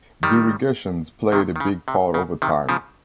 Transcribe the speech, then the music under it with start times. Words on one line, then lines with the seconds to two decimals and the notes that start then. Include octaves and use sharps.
The irrigations played a big part over time.
0.23 D#3 G3
1.32 C3 D#3
1.56 D#3
1.60 C#3
1.88 C3
2.14 C#3
2.42 C3 D#3
2.69 C#3 F3